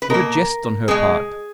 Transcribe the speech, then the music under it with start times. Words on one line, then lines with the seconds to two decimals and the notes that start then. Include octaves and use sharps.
What a jest on her part!
0.02 B4
0.10 B2 A#3 A#4
0.88 B2 G#3 G#4